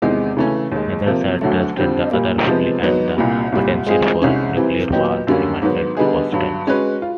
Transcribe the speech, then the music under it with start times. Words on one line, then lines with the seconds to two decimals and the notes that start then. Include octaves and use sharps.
Neither side trusted the other fully and the potential for nuclear war remained constant.
0.02 E2 C3 D#3 G#3
0.37 C#3 E3 A3 C#4
0.72 D#2 D#3 G#3
1.06 C3 F3 A#3
1.41 D2 D3 F#3 A3
1.77 F2 D3 G3 C4
2.12 A#2 G3 A#3
2.47 C3 F3 G#3 B3
2.81 G#2 D#3 F#3 B3 D#4
3.16 C2 A#2 G3
3.52 C2 A#2 G3
3.87 G#3 C4 F4 G#4
4.22 C2 C3 D#3 G#3 C#4
4.57 C3 E3 G3
4.92 A#2 F#3 B3 D#4 G4
5.27 F#2 D3 G3 A#3 C#4
5.62 G#2 D#3 F#3 B3
5.97 D3 G3 B3 D#4 G#4
6.32 G2 D3 F#3
6.67 G#3 C#4 F#4 B4
7.02 F4